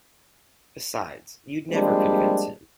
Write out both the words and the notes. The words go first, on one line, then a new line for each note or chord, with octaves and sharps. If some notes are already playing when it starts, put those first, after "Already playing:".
Besides, you’d never convince him.
F3 G3 G#3 A#3 C4 D4